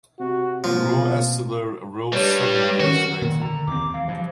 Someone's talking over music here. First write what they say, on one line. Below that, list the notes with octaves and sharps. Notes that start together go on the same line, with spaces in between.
Roeselare arose seven years later.
C3 F#4
B2 F3 A#3 F4
G2 G3 G4 B4 C#5
D#3 C#4 F#4 A#4
A#2 D#3
D3 A#5
D#2 C4 D6
E3 F5
G2 E3 F3